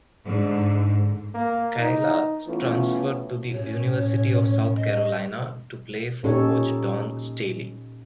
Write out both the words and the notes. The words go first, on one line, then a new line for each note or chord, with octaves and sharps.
Kaela transferred to the University of South Carolina to play for Coach Dawn Staley.
G#2 D3
A#3
D#4
E3 A3 B3 C#4 E4 F4
A2 C#4 C#5
D#5
A#2 C#4 D#4 G4 A4 C#5